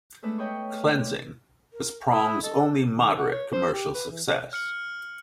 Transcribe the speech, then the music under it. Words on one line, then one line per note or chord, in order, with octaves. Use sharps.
"Cleansing" was Prong's only moderate commercial success.
G#3 A3 B3 D4 B4 E5
C#5 D#5 G5 B5 C#6
F6
A#2 B3
D5
A#4
E4 D#6
A4 D#5
D#3
F#5
C#5
C5
G4
B4
E3
F6 C#7 F#7